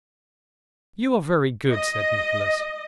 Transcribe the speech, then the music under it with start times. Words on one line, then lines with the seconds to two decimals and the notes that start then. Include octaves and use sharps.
'You are very good,' said Nicholas.
1.71 D#5